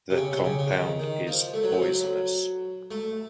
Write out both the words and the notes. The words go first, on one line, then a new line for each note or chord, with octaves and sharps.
The compound is poisonous.
C3
C#3
C3
C#3
C#3
D#3
D#3
F3
A3
F#3
F3
F#3
A3